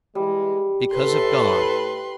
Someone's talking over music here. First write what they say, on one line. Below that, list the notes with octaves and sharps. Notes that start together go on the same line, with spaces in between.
Because of God.
E3 G3 G#3
A2 A4 B4 C6